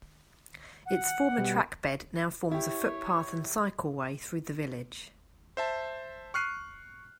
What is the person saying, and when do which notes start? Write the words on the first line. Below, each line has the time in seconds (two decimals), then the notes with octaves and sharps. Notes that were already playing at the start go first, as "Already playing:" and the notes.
Its former trackbed now forms a footpath and cycleway through the village.
0.86 F#5
1.38 B2 G3
2.51 E4 G4 C#5
5.57 C5 E5 A5
6.34 C#6 F6 F#6 C7 D#7